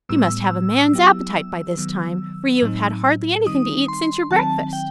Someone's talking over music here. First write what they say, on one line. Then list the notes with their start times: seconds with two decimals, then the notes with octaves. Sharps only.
"You must have a man's appetite by this time, for you have had hardly anything to eat since your breakfast."
0.09 A2 G3 B3 E6
0.93 F#3 B3 E4 G4
1.77 D#3 F#3 B3
2.62 A2 F#3 C4 D#4
3.46 D#3 G3 C4 D#4 D#6
3.88 C6
4.31 D#3 F#3 C4 A5
4.73 G5